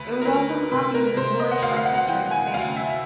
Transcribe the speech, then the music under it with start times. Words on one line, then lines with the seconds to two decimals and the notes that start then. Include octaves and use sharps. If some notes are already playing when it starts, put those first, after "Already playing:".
It was also copied in the Moorish architecture in Spain.
Already playing: D2 B4
0.21 A#4
0.25 D2 B4
0.72 C3 B4
0.94 A#4
1.17 C3 C5
1.40 D#5
1.51 F#5
1.62 D2 F5
1.77 F5
1.85 F#5
1.98 F#5
2.08 E3 G5
2.31 G#5
2.54 D2 F5
2.76 E5